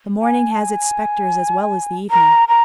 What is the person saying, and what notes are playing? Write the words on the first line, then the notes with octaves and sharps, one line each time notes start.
The morning has its spectres as well as the evening.
G#5
A5
G#5
A#5
A#5